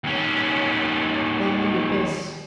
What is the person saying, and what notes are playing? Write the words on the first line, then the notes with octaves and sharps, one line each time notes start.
Then the abyss.
D#2 C#4